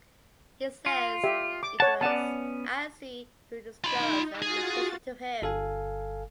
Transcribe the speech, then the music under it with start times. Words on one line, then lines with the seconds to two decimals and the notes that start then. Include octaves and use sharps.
He says it was Aasi who disclosed their location to him.
0.86 F4
1.24 G4 E5
1.63 D6
1.80 C#5 F#5 A5
2.01 B3 C#4 D5 F#5 A5
3.84 D#4 F4 B5
4.42 F4 F#4 G#4 A6
5.42 G1 A4 F5 G#5